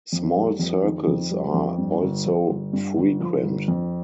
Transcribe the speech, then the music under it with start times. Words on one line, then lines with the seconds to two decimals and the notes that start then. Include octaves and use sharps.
Small circles are also frequent.
0.12 F2
0.37 G3
0.59 F2
0.83 D#3
1.07 F2
1.31 G3
1.54 F2
1.78 G2
2.02 G1
2.26 F3
2.49 G1
2.73 G2
2.96 G1
3.20 F3
3.43 G1
3.68 F2